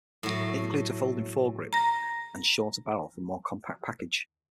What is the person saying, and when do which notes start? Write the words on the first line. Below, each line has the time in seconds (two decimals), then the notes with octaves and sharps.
It includes a folding foregrip and shorter barrel for a more compact package.
0.23 A2 F#3
1.73 A#5 A#6